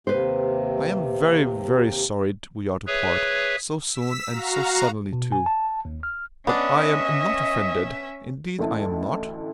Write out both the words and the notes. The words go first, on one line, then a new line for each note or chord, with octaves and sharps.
I am very, very sorry we are to part--so soon, and so suddenly too; but I am not offended, indeed I am not.
D#2 C3 B4 C5
G#4 B4 C#5 E5
E6 B6
F#4 F5 A#5
B2
G#5
A5
D#2
F6
B3 C#4 D4 D#5 E5
A1 D2 E4 A5